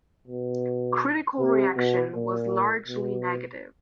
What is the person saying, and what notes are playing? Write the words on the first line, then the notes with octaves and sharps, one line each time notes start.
Critical reaction was largely negative.
B2
C3
B2
A#2
B2